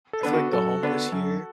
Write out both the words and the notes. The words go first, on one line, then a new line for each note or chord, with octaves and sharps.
I feel like the homeless here
A4
D3 B3 D4 B4
F#4
F#2 A4
D3 B3 D4 B4
F#2